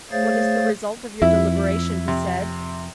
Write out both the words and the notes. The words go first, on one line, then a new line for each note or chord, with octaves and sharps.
"What is the result of your deliberation?" he said.
A3 G#4 C5 C#5 F5 A6
F2 E4 E5
C3